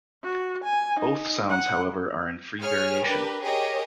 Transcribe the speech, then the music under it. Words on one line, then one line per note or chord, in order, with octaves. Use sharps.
Both sounds, however, are in free variation.
F#4
G#5
D#4
F#5
G#4 C#5 G#5 F6
D4 G4 A#4 B4
G4 G#4 A#4 C#5 D#5